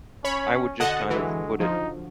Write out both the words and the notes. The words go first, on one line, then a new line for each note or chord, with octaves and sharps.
I would just kind of put it
C#4 C#5 B5
D3 F#4 D#5 F#5 A5
E3 F#3 G#3
F3 D#4